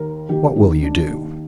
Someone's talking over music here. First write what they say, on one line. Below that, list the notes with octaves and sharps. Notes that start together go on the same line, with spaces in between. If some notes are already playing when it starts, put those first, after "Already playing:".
"What will you do?"
Already playing: D#2 D#3 A#4
D#2 D#3 G4
D#4
D4
D#2 D#3